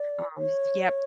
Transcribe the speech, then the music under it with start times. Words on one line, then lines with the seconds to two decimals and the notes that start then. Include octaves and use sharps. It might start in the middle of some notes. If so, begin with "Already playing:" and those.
Um, yep,
Already playing: D5
0.37 C#5